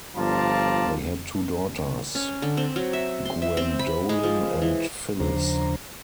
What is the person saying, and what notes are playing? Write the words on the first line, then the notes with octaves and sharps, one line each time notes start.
They had two daughters, Guendolen and Phyllis.
G1 F3 F4 D5 A5 A#5
C#4
D3
C4
F#3
E5
C6
E5
C4
B5
G#3
F3
E3
D#2 C#3 F3 D4 C5 A#5